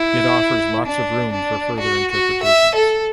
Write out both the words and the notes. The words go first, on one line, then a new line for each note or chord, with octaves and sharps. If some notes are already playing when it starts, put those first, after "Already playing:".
It offers lots of room for further interpretations.
Already playing: E4
D4
D4
F#4
F#4
E5
A4